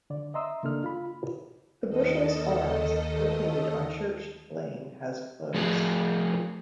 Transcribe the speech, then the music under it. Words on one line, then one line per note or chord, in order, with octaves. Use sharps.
The "Bushells Arms" located on Church Lane has closed.
D3 D5
D#5 E5 A#5 C6 D#6 E6
C#3 A#3 D4 A4 F6
F4 B5
D#2 D#3 A4 D#5
F3 A3 G#4